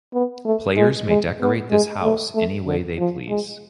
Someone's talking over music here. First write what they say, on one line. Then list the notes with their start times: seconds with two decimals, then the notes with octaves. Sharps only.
Players may decorate this house anyway they please.
0.14 B3
0.45 A3
0.77 G#3
1.08 G#3
1.41 B3
1.71 G#3
2.03 A3
2.35 A3
2.66 D3
2.98 F3
3.29 G#3